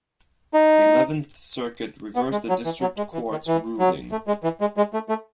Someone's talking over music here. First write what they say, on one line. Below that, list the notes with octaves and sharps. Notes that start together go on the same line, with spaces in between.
The Eleventh Circuit reversed the district court's ruling.
D#4
B3
G#3
F#3
E3
F#3
G#3
E3
D#3
E3
F#3
A3
G#3
E3
G#3
G#3
A3
A3